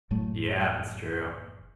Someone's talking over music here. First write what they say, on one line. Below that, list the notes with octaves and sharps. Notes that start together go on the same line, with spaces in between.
Yeah, that's true.
F#1 A2 F#3 A3